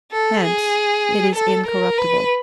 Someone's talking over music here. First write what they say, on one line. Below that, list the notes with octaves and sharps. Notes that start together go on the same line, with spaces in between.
Hence it is incorruptible.
A4
G#4
A4
A#4
B4